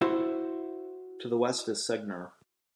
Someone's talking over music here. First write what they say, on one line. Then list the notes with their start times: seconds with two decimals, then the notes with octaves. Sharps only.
To the west is Segner.
0.01 E4 F#4 C5